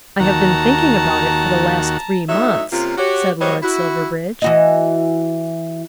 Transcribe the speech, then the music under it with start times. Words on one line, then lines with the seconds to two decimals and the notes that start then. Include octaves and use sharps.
"I have been thinking about it for the last three months," said Lord Silverbridge.
0.20 D#2 F#4 A5 A#5
2.29 A2 F#3 D#4 E5
2.72 C3 A#3 C#4 F4
2.97 F#4 G4 C#5
3.40 F#3 G3 A#3 C5 C#5 D#5
3.63 E4 F#4
4.42 E3 F#4 D#5